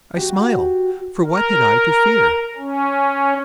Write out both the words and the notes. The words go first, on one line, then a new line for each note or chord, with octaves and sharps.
I smiled,--for what had I to fear?
F#4 G4
A#4
C#4